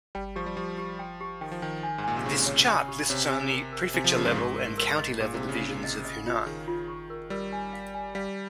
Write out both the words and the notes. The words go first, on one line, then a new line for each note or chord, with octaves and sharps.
This chart lists only prefecture-level and county-level divisions of Hunan.
G3 G5
F3 G4
G3
F3 G4
G4
G5
G4
D#3 G5
F3
D#3 G5
G#5
G#2
A#2 G#5
C3
C#3 G4
C#5
G#5
G4
C3 C#5
G#5
A#4
A#4
C3 G#5
F3
C#3 A#4
G#2
G#2 C#6
A#4
A#4
D#5
A#2 G#4
C3
G#4
C#3
G#4
D#5
D#5
F4
D#3 G#4
F4
C#6
A#4
G3 A#4
G#5
F5
G#5
G3 F5